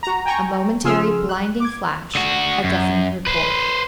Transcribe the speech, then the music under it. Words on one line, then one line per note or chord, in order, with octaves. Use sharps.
A momentary blinding flash, a deafening report.
F#4 A#5
G5 G#5 A#5 C#6
C#3 F3 G#4 C6 E6 F6
F#6
D6 G#6
D3 F#4
F#2
B4 C5